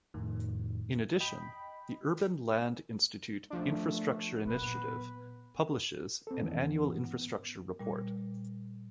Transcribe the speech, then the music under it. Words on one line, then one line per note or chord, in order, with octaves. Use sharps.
In addition, the Urban Land Institute Infrastructure Initiative publishes an annual infrastructure report.
F2 A2 D#3
D#5 G5 B5
F3 A3 D4
A#2 F#3 B3 B4
C4 A4
F2 D#3 E3 B3 C#4 E4
G#2 B3
A#2 G3